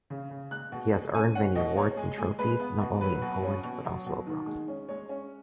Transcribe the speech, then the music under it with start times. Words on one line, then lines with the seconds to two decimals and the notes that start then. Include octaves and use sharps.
He has earned many awards and trophies, not only in Poland, but also abroad.
0.10 C#3
0.30 C#3
0.51 G#3 F#6
0.72 B2
0.93 G#3
1.14 C#4 G#5
1.35 C#4 F#5
1.55 B2 D#5
1.77 G#3 C#5
1.97 G#3 G#4
2.18 G#3 G#4
2.39 G#3 B4
2.60 B3
2.81 B2
3.01 F#3 B4
3.22 B2
3.43 C#4
3.63 B2
3.85 F#3
4.06 B2
4.27 D#3
4.47 G#3
4.68 C#4
4.88 G#3 C#5
5.09 C#4